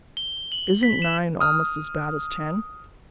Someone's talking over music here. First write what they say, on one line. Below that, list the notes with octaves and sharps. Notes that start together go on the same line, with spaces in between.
Isn't nine almost as bad as ten?
G7
F#7
B6
E7
D#6 F6